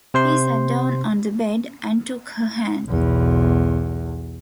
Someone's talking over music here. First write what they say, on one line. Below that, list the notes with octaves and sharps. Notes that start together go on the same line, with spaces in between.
He sat down on the bed, and took her hand.
C3 C5 C6
B1 E2